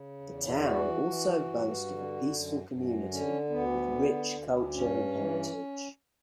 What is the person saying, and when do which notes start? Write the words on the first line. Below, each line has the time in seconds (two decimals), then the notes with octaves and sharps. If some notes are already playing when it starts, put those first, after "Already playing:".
The town also boast of a peaceful community with rich culture and heritage.
Already playing: C#3
0.21 E2
0.62 E3 F#4
1.03 E3
1.45 G2
1.86 D3
2.26 F#2
2.68 F#2
3.09 D3 C#4
3.50 D2 B3
3.91 D3
4.32 D2
4.73 G2 C#4
5.15 E3